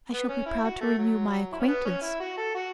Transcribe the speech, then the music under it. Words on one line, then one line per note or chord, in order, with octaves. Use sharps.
"I shall be proud to renew my acquaintance."
B3
C#4
E4
F#4
A3
F#3
E4
C#4
B3
C#4
E4
F#4
A4
F#4